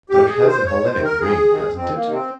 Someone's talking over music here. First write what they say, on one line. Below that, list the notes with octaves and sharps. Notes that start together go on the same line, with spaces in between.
But it has a Hellenic ring, hasn't it?
F2 G4
G#4
C3 D#3
C5
F2 C#5
C5
C3 D#3
A#4
F2 G#4
C3 D#3
F2 C4
A#3
C3 D#3
C4